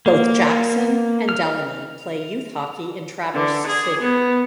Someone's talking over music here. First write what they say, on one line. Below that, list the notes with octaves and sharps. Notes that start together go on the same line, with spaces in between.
Both Jakson and Delaney play youth hockey in Traverse City.
A#3
F6
D3
G#4
B3